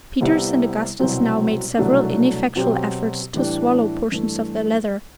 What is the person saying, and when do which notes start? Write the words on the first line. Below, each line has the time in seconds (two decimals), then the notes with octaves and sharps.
Peters and Augustus now made several ineffectual efforts to swallow portions of the leather.
0.21 C2 C3 G3 B3 E4
1.00 C2 B2 F#3 C4
1.77 C2 B2 F#3 A3 D4
2.55 B2 F#3 C4 G4
3.34 A2 E3 G3 D4 G4
4.12 G2 E3 A3